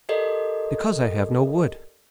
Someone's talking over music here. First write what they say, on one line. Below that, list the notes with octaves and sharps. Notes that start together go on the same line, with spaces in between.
"Because I have no wood."
G4 A4 A#4 D5 D#5